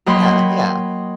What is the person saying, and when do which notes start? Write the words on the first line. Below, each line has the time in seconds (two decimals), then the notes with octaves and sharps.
Yeah, yeah.
0.06 F#3 A#3 D#5 G5 B5 C6